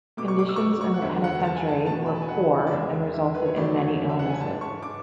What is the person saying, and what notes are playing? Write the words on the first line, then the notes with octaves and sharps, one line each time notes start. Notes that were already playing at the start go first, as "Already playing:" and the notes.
Conditions in the penitentiary were poor and resulted in many illnesses.
B2 A3 D6
C#6
D6
E6
C#6
D6
C#6
F#5
E2 D3 G#3 E5
F#5
A5
G#5
A5
E2 B2 A3 A5
B5
A5
G#5
F#5
D5
E2 C#3 G#3 E5
E5
B4
C#5
E2 C#3 F#3 A3 D5
C#5
E5
F#5
G#5
G#2 G#3 A5
C#6
D6